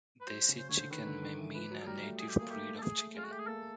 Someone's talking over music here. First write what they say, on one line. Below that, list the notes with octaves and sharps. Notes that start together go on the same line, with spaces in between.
"Desi chicken" may mean a native breed of chicken.
B4
F#3 C5
C#3
C5
D3 C#5
C5
D#3 B4
D3
D#3
E3
F3 B4
F#3
A4
G3 A#4
A3
G#4
G4
A#3 G#4
A3 G4
A4
G#3 G#4
A3
G#3
F4
F#4
A3 G4
G#4
A#3 A4